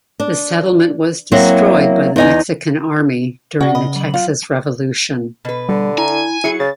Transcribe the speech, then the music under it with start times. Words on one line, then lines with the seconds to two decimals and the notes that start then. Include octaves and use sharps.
The settlement was destroyed by the Mexican army during the Texas Revolution.
0.20 D4
1.32 F#3 A#3 C4 E4 F#4
2.16 E2 D#4 G#5
3.61 C#3 C#4 F#4 D5 F#5
3.75 D#5 B5
3.96 F#3 F#7
4.14 F4
5.45 B2 B4
5.69 D3 G3
5.98 E4 G#5 A#5
6.44 F#3 E4 G#4 C#7
6.60 C#3 A6